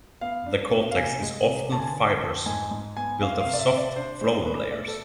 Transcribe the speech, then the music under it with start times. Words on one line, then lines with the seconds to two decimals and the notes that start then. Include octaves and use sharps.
The cortex is often fibrous, built of soft phloem layers.
0.21 B3 F5
0.46 D4
0.72 B2
0.91 F5
0.97 C3 G#5
1.22 G#3
1.46 C3
1.72 D3 A5
1.79 G#5
1.88 A5
1.96 D3
2.22 F2
2.46 G#2 G#5
2.71 G#2
2.97 B3 G#5
3.21 C4 F5
3.40 F5
3.46 C3
3.53 D5
3.59 E5
3.70 C3 E5
3.77 D5
3.96 D4 C5
4.21 G#3 C5
4.46 B2 B4
4.71 A3 D5
4.88 A4